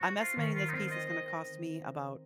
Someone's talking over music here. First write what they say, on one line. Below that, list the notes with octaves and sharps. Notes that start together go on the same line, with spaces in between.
I'm estimating this piece is gonna cost me about"
C4 F#4
F4
D#3 C#4
F4
D#4
C4 F4
D#5
D#5